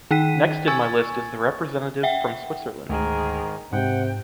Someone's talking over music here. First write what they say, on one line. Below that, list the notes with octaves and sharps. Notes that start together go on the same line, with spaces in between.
Next in my list is the representative from Switzerland.
D#3 D#4 G5 B6 D#7
G#5 C#6 E6 G#6 A6
E5 F#5 G5
D2 G#2 D#3 G#4 A#4
G#2 C3 F#5 G5